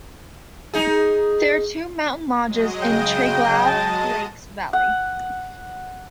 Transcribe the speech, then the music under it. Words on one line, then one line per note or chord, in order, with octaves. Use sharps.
There are two mountain lodges in the Triglav Lakes Valley.
D#4 G#4
F#3 G#3 D#5
C#3 G5
A5
F#5